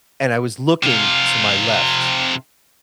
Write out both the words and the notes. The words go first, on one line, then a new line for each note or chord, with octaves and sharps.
and I was looking to my left
C3 F4